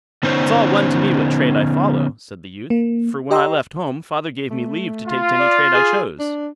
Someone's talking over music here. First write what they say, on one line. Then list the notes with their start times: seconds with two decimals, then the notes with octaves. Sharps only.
'It's all one to me what trade I follow', said the youth; 'for when I left home, father gave me leave to take to any trade I chose.'
0.23 D3 B3 C#4 D#4 C5
2.70 A#3
3.31 G4 D#5 G5 A#5 C6 E6
4.50 A3
5.07 F4
5.39 D5
5.74 G#4
6.19 D4